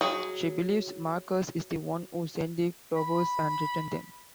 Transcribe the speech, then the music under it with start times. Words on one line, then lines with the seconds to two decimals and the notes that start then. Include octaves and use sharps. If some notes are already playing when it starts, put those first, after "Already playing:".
She believes Marcus is the one who sent the flowers and returns them.
0.01 F#3 G#4 F5
2.96 B5